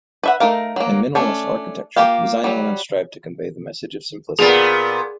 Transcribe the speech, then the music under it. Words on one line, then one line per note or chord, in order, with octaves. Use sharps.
In minimalist architecture, design elements strive to convey the message of simplicity.
B4 E5 F#5
A3 D#4 A#4 F5
F#3 A#3
A3 C#4 D4
A#3 F4 G4 F5
F#3 G3
A#2 B3 G#4 D5